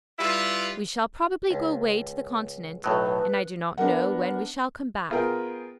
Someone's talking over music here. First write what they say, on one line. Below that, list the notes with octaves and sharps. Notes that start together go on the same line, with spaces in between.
We shall probably go away to the Continent, and I do not know when we shall come back.
G3 E4 F4 B4
C#2
B1 A2 F#3 B4
B3 D4 A#4 F#5
B3 F4 G#4 A#4 G5